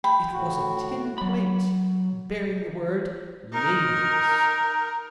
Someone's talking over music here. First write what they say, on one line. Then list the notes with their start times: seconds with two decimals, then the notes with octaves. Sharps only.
It was a tin plate bearing the word "LADIES."
0.04 G5 B5
0.33 A2 F#4
1.18 F#3 B5
3.53 D#4 A#4